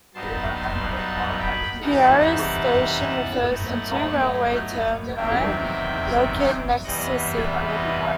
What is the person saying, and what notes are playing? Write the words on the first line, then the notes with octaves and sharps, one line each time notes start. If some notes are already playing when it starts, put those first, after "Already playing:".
Piraeus station refers to the two railway termini located next to the seaport.
G2 F#3 B3 D#4 A5 C6
A5 C6
F#5 A5
G5 B5
C3 E3 G3 D#4 F#5 A5
A2 F#3 B3 D#4
E2 C3 D#3 F#3 C4 E5 G5
E2 C3 E3 G3 B3 D#5 F#5
C5 E5
B4 D#5